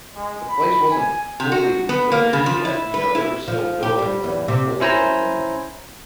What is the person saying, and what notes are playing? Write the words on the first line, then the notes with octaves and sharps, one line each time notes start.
the place wasn't fully rebuilt just yet, you know, there were still buildings that had bullet holes in them.
G#3
B5
G#5
C3
F#4
B3
A#3
C#3
F3
E4
B4
E4
F3
G4
G3
E2
C3
C#4 E4 C5 G#5 A#5